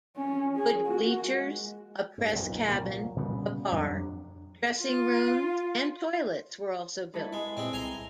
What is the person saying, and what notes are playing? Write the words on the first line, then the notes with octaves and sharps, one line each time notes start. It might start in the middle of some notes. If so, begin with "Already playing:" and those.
Wood bleachers, a press cabin, a bar, dressing-rooms and toilets were also built.
C#4
G#4
A#3 F#4
G#3
G2
B1 F2 A#2
C2 A#2 F#3 A#3
A#2 C#3 G3 B3
F2 F#3 G3 D4
F4
E4 A4 B4
G#3
A#2 G#3 C4
C2 G#5 A#5 C6